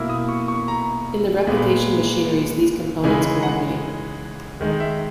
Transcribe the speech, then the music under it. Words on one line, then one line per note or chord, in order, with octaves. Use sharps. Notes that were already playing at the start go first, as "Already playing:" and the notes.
In the replication machineries these components coordinate.
Already playing: B2 A#3 E4 E6
D#6
C#6
C#6
A#5
A#2 G#3 B3
C#3 E3 G#3 D#4 G#5
F#5
D#3 G#3 D#4
E5